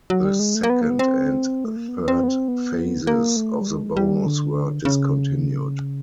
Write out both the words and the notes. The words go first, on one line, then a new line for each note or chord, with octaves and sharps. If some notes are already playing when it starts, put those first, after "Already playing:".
The second and third phases of the bonus were discontinued.
F#3
G3
G#3
A3
A#3
B3
A#3
B3
C4
A3
A#3
B3
C4
B3
C4
B3
A#3
A3
G3
G#3
G3
D3
C#3